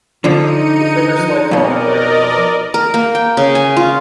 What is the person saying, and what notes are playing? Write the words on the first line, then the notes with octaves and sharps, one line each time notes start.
A further slight fall occurred the following week.
D3 F3 D#4 C#7 D#7
F2 B2 A#4 D5 D#5
A#4
A#3
G5
C#3
G#5
F4